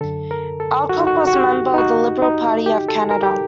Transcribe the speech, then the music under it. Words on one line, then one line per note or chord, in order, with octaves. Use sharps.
Alcock was a member of the Liberal Party of Canada.
F#2 D3 A4
A#4
A4
F#4
D#4
F#4
F#4
G4
D#4
F#4
D#4
G4
A4
A#4
G4